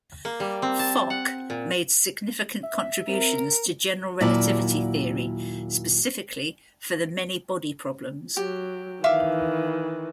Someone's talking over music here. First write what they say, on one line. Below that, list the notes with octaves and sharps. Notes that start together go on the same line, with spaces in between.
Fock made significant contributions to general relativity theory, specifically for the many body problems.
A#3
G3
C4
A5
F#5
A#2
E5
C4 A#4
D#2 A#2 F#3 E4 D5 A5
F#3 G4
D#3 E3 E5 F5 D6